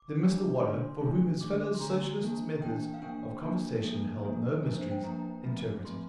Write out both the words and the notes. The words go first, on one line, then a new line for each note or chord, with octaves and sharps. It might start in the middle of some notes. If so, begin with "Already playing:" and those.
Then Mr Waller, for whom his fellow Socialist's methods of conversation held no mysteries, interpreted.
Already playing: D6
G3 D4
D3 A3 D4 C6
D3 A3 D4
D3 A3 D4 D6
C6
D3 A3 D4 A#5
E3 A#3 D4
E3 A#3 D4 G5
F5
E3 A#3 D4 G5
E3 A#3 D4
F3 A#3 D4 A4
F3 A#3 D4
F3 A#3 D4 A#4
C5
G5
F3 A#3 D4 A#5
F3 A3 C4
F3 A3 C4 C6